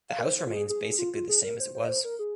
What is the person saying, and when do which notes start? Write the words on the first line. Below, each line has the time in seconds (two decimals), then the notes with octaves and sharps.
The house remains basically the same as it was.
0.09 F5
0.19 A#4
0.24 C5
0.39 C5
0.47 F4
0.53 G#4
0.69 G#4
0.83 G#4
0.98 F4
1.15 F4
1.29 G#4
1.44 A#4
1.60 C5
1.75 C5
1.84 D#5
1.89 C5
2.04 A#4
2.19 G#4